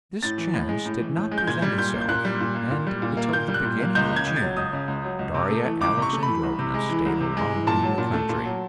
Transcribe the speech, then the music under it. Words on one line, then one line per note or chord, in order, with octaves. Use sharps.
This chance did not present itself, and till the beginning of June Darya Alexandrovna stayed alone in the country.
A2 A6
E3
A2
G#3
A2
E3
A2
G#3
G6
A#2 G#6
G3
A#2 G6
A#3
G6
A#2 F#6
G3
A#2
A#3
A#2
G3
A#2
A#3
A#2 G6
G3
F#6
A#2
A#3
C#2 G6
C#3
G#6
C#2
A6
F#3
C#2 D#6
C#3
C#2
F#3
C#2
C3
A3
E3
C#2 D6
C3 C#6
A3
B5
E3
C2
C3
G#3
E3
C2
C3
G#3
E3
A#2 A5
F#3
A#2
A3
A#2
F#3